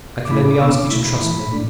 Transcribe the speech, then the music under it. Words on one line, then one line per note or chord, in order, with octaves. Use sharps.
I can only ask you to trust me.
D6
A2 A3 E4 B5
D6
B2 B3 D4 E6
D6
B2 A3 E4 B5
B5
E3 A3 E4
A2 A3 D4